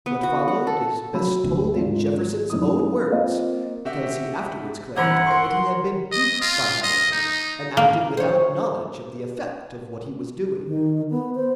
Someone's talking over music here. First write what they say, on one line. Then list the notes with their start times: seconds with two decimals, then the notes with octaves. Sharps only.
What followed is best told in Jefferson's own words, because he afterwards claimed that he had been "duped" by Hamilton and acted without knowledge of the effect of what he was doing.
0.06 B3
0.23 F#4
0.48 F#5
0.67 A4
1.14 F#3 B5 E6
1.44 D2 F#3
1.74 G#1 F4
2.50 F#2 D#4 E4 D#6
3.11 A#3 C4 F4 D#5 F5
3.85 F#4 G4 E5
4.97 G1 E3 C4 E4 C5 F#5 A#5 D6
5.26 A#4 C6 C#6
6.11 D#5
6.41 F4
6.83 D#5
7.12 D#4
7.77 A#3
8.17 C5 C#5
10.66 D#3
11.11 B3
11.35 C5